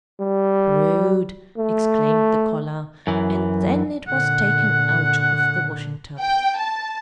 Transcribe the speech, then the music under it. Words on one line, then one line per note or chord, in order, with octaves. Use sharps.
"Prude!" exclaimed the collar; and then it was taken out of the washing-tub.
G3
A3
F#2 E3
A#2 D3 F#5
G5
A5